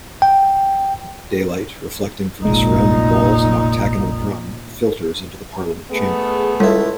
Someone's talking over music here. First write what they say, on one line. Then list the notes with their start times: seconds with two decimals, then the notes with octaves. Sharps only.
Daylight, reflecting from the surrounding walls and octagonal drum, filters into the Parliament Chamber.
0.22 G5
2.45 F1 A#1 A#2 G#3 D#4
5.91 A3 B3 G#4
6.60 C#2 G3 E4 A4